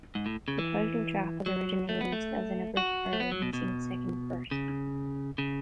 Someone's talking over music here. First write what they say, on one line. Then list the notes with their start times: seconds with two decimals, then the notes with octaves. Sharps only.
The title track was originally released as an abridged version, missing its second verse.
0.15 G#2
0.26 A2
0.48 C#3
0.59 E3
1.46 F#3
1.89 A3
2.01 B3
2.12 A3
2.77 F#4
3.13 A3
3.20 B3
3.32 F#3
3.42 B2
3.53 B2
4.51 C#3
5.38 C#3